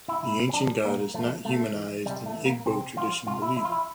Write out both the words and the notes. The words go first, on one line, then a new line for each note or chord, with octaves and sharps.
The ancient God is not humanized in Igbo tradition belief.
E4
A#2 E4
C4
F3 D4
A#2 A#3
F3 A3
C3 A3
E3
C3 G3
A3
E3
A#3
C3 C4
F3 F4
C3 F4
E4
F3 E4
F4
E4